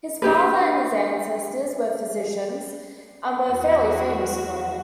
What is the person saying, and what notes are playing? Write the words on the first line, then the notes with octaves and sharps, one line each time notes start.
His father and his ancestors were physicians and were fairly famous for it.
D4 G4 B4
E2 F#4